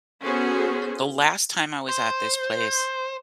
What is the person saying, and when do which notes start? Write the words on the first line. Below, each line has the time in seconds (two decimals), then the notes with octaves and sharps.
the last time I was at this place,
0.22 B3 C#4 F#4 G#4 A4 C5
1.89 C5